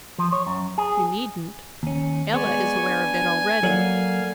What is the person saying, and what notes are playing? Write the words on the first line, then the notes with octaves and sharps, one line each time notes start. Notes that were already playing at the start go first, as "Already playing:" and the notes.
"You needn't--Ella is aware of it already."
F3
C#5
F#2
G#4
D#2 C#4
G#3 B3 D5 G#5 C#6
D4
F#3 A#3 A4 D5 F5 F#5